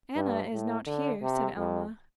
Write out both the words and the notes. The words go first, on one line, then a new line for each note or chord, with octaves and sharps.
"Anna is not here," said Alma.
G2
A2
D3
C3
F2